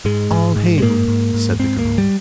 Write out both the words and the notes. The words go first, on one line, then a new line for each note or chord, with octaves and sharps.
'All hail!' said the girl.
G#2 G#3
G#2
G#2
G#3
G#2 A#3
G#2
G#2
G#2 C4
A#3
G#2
G3